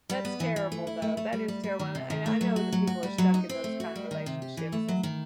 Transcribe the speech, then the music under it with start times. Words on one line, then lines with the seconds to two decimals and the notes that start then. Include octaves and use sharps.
That's terrible, though. That is terrible, and I I kn I know that people are stuck in those kind of relationships, and
0.10 G3
0.25 B3
0.40 E3
0.56 E3
0.72 A3
0.87 E4
1.02 A3
1.17 A3
1.33 G3
1.48 G3
1.64 G3
1.79 D#3
1.95 C3
2.10 D#3
2.26 A3
2.41 F#3
2.56 F#4
2.72 F#3
2.87 F#4
3.03 G3
3.18 F#3
3.34 D#4
3.49 C4
3.64 A3
3.80 F#4
3.96 G3
4.11 D#3
4.26 C3
4.42 G4
4.57 E3
4.72 A3
4.88 F#3
5.03 D#3